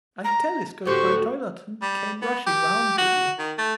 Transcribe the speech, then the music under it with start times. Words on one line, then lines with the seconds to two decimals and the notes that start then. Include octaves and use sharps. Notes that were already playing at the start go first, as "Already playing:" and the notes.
I telescoped my toilet and came rushing round to you.
0.24 A#5
0.86 A2 D3 F#4 G4 C5 C#6
1.82 G3
2.21 B3
2.47 G4
2.98 F#4
3.39 D#3
3.58 A3